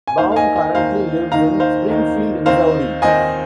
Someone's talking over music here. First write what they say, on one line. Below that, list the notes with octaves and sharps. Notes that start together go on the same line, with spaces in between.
Baum currently lives in Springfield, Missouri.
G#5
D#2 D#3 A#3 D#4 C5 F5
F5
D#5 G#5
D#5 G#5
D#2 D#3 A#3 D#4 C5 F5
D#2 D#3 A#3 D#4 F5 A#5
C5 F5
D#2 D#3 A#3 D#4
D#2 D#3 C4 D#4 C5 F5
D#2 D#3 C4 D#4 D#5 G#5